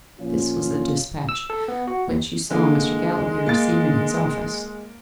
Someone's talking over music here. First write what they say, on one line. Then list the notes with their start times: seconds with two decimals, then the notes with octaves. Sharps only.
This was the despatch which you saw Mr. Galloway receive in his office.
0.20 A#2 F3 C#4 F4
1.29 E6
1.50 A4
1.68 B3
1.88 F#4
2.08 D#2
2.50 D3 G#3 A#3
3.46 A#3 A6